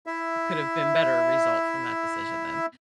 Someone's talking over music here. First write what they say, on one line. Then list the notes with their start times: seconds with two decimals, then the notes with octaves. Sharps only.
could have been better result from that decision then?
0.06 E4 E5